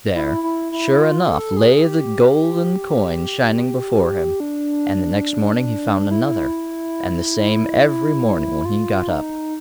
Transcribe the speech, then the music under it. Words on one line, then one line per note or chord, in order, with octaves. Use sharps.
There, sure enough, lay the golden coin shining before him, and the next morning he found another, and the same every morning when he got up.
E4
E4
E4
F4
A4
G#4
G4
D4
E4
F4
D#4